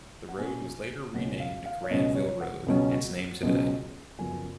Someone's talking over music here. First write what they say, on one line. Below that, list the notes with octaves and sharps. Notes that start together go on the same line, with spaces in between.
The road was later renamed Granville Road, its name today.
F#5
B2 A#3 C#4 G#5
C#2 B2 F#3 C#4 F#5
F5
F5
C#5
C#2 B2 F#3 C#4 D#5
C#5
F#5
C#2 B2 F#3 C#4
C#2 B2 F#3 C#4
F#2 C#3 F3 B3 G#5